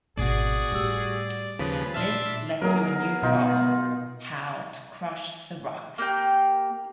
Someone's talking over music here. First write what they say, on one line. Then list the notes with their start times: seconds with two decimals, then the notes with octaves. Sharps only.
This led to a new problem: how to crush the rock.
0.17 G#1 B2 F#4 G#4 D5
0.72 A2 G3 G4 E6
1.59 D#2 C#3 F3 G#4 B4 A6 B6
1.94 A#2 D4 E5 A5 C6 F6 B6
2.61 F#3 A#3 B3 G#4 A#4
3.23 B2 D#4 F4
5.98 A#3 G4 G5